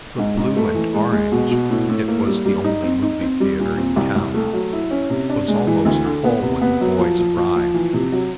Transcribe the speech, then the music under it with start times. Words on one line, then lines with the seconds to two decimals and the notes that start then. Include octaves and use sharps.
The Blue and Orange--it was the only movie theater in town--was almost full when the boys arrived.
0.18 G#2
0.37 G#2
0.56 A3
0.75 E3
0.94 G#3
1.13 G#3
1.32 B2
1.51 B2
1.70 A2
1.89 A2
2.08 A#3
2.27 G3
2.46 G3
2.64 D#4
2.83 C4
3.02 D#4
3.21 C4
3.40 G3
3.59 A#2
3.78 C4
3.96 C2
4.15 C2
4.34 A3
4.53 F#3
4.73 E4
4.91 C#4
5.10 C3
5.29 D4
5.48 G#3
5.67 E3
5.85 D2
6.05 D3
6.24 B3
6.43 C3
6.61 B3
6.81 F#3
6.99 F3
7.19 F3
7.37 F3
7.56 F3
7.74 E3
7.93 C3
8.12 F#3